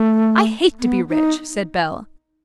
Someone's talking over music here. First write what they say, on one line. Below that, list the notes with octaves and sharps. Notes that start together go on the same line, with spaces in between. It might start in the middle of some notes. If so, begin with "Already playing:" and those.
"I hate to be rich," said Bell.
Already playing: A3
B3
D#4